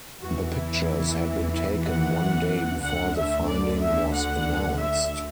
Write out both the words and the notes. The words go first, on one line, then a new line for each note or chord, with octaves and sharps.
The pictures had been taken one day before the finding was announced.
E2 E3 F#4
E4
E4
F#5
D2 D3 F#5
E5
D5
E5
F#5
E5